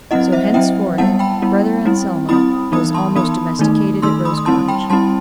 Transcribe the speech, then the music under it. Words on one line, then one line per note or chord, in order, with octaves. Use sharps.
So henceforward "Brother Anselmo" was almost domesticated at Rose Cottage.
F#3 C4 E4 D#5 F#5
C5 E5
F#3 C4 E4 E5 G5
G3 B3 E4 F#5 A5
G5 B5
G3 B3 E4
G3 C4 E4
G3 C4 E4 B5 D#6
E3 B3 D#4 B5 D#6
A5 C6
E3 B3 D#4 B5 D#6
D#3 A3 D#4
D#3 A3 D#4 C6 E6
B5 D#6
D#6
G3 C4 E4 A5 C6
G5 B5
G3 C4 E4 A5 C6